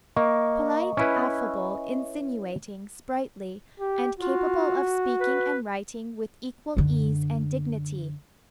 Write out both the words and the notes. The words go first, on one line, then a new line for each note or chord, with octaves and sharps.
Polite, affable, insinuating, sprightly, and capable of speaking and writing with equal ease and dignity.
A#3 D#5 C#6
C#4 E4 B4
G4
F4 F#4
B4
F#2 D3